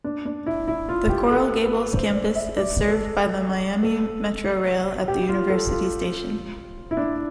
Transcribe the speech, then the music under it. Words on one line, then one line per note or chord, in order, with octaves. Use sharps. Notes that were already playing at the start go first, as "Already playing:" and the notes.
The Coral Gables campus is served by the Miami Metrorail at the University Station.
D4
D4
E4
E4
F4
G4
A4
B4
C5
D5
E5
D5
A4
A4
G4
F4
A4
F4
E4
D4